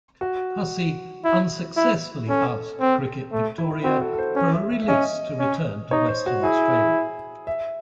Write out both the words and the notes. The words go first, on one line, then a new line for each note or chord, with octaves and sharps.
Hussey unsuccessfully asked Cricket Victoria for a release to return to Western Australia.
F#4
E4
E4
C#4 A4
C4
A3
E4
E4
C4 F#4
A4
A4
C5
C#4
E5
E5
E5
C#4 D#5
C#4
D#4 C#5
C5
F#4
E4 G#4
E5